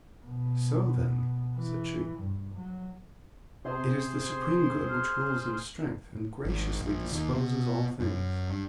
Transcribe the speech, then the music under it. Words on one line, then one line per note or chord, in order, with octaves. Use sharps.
'So, then,' said she, 'it is the supreme good which rules in strength, and graciously disposes all things.'
B2
E3
G2
F#3
C3 G#4 C5 C6
F6
G#1
A#1
D#2
B2
F#2
G2